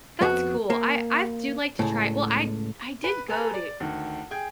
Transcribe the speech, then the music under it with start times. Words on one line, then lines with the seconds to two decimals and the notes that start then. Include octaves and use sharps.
That's cool, I I've do like to try well, I I did go to
0.21 F2 B3 F#4
0.70 A#3
1.79 C#2 A2
3.04 B4
3.28 G#4 A4 B4 A#5
3.53 D5
3.80 D2 D#3
4.31 G#4 G5 G#6